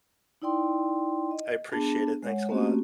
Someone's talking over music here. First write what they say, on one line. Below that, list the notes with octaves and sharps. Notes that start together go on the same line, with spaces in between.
I appreciate it, thanks a lot.
D#4 E4 D5 G5 C6
D#5
B3 D4 G#4 A5
G#3 C#5 F#5
A3 A#3 C4 C#4 F#4 G4